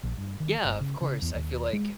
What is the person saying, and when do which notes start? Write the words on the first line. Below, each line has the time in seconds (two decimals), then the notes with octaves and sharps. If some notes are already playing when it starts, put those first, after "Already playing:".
Yeah, of course. I feel like
0.03 A#1
0.18 G2
0.40 D#3
0.65 G1
0.81 C#3
1.01 C#3
1.22 E2
1.35 D#2
1.73 G#3